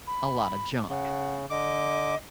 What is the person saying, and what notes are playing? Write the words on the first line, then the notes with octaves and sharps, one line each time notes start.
a lotta junk.
B5
C#3 F#5
D3 D#5 D6